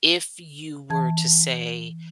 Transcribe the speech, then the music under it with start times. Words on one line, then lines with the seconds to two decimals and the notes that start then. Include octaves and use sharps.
if you were to say,
0.90 E3 A5 G#6